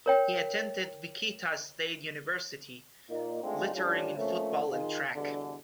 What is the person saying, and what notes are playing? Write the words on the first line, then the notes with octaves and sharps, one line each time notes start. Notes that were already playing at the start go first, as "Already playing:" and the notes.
He attended Wichita State University, lettering in football and track.
A#4 C#5 G5
A#2 A#3 D#4
G#3 A3 C4 D4 D#4 F4
A2 G3 C#4 D4 F4
F3 A3 A#3 C4 C#4
D#3 F4 G#4
E2 G2 B2 D3